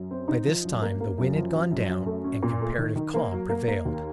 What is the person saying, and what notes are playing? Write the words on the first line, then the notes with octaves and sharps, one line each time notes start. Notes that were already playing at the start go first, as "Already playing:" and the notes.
By this time the wind had gone down and comparative calm prevailed.
Already playing: F#2
C4
D#4
F3
F#2
A#3
A#3
F#2
F3
F3
F#2
F#2
A3
C#4
A#2
A3
D#3
D#3
A#3
F#3
A#3
A#3
D#2